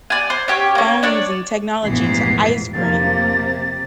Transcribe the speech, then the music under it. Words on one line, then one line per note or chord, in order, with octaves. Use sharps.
phones and technology to ice cream.
D5 G#5
C5
C#4 G4 C#5
A#3 C#4
D4 C#5 D5
F1 A#1 G#2 E3 B3 C7
F1 C3 F3 A#3 A6